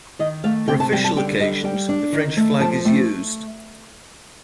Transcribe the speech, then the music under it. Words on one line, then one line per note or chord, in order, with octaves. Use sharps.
For official occasions, the French flag is used.
D#3 D#5
A3 F5
C3 G5
A5
G3 G5
A5
D3 G5
G3 D#5
G3 G5
D4
D#3
A3
F3 A5
A3 G5